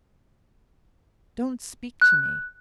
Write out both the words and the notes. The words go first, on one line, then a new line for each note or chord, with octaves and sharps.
Don't speak to me.
F#6